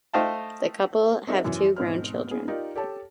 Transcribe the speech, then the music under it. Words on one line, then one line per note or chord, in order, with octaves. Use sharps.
The couple have two grown children.
A3 C5 D#5 F5 G5 A5
C4 D4 D#4 G#4 A#4 E5
F#2 E3
E1 G#2 C4 F6
B3 G#4
D#4 F4 G4 A#4 D5
G4 A4 C#5 A5